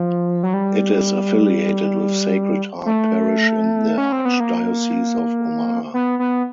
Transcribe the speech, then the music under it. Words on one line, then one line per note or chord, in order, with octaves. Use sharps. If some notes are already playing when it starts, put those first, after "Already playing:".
It is affiliated with Sacred Heart Parish in the Archdiocese of Omaha.
Already playing: F3
F#3
G3
A3
C#4
C4
B3
A#3
B3
B3